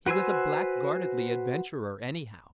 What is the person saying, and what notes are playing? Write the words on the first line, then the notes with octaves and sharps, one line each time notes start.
He was a blackguardly adventurer, anyhow.
F#4 B4 C5 G#5 E6